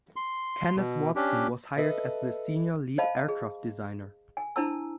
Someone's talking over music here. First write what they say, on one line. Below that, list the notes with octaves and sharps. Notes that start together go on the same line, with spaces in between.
Kenneth Watson was hired as the senior lead aircraft designer.
C6
B2
C#4 D4 G4
A4 B4 D#5 E5
C5 D#5 F5 A5 B5
G#4
G#5
D4 E4 C5 A5 A#5 E6